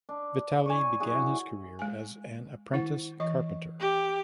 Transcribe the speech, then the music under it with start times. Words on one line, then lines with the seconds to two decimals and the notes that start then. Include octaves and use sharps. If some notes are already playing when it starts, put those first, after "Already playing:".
Vitali began his career as an apprentice carpenter.
0.09 D4
0.66 C#5 G#5
1.00 F#3 E4 F#4 G#4
1.79 G#3 G#5
2.73 D#3 E4 F#5
3.20 E3 D#5 C#6
3.80 G4